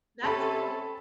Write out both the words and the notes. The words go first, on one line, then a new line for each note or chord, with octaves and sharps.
That's good.
C3 C#4 A4 A5 B5